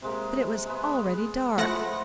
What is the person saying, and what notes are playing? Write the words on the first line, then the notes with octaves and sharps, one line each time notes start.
But it was already dark.
C3 G#3 A#3
G#3 B3
F3 A3 E4 F#5 C#6 A#6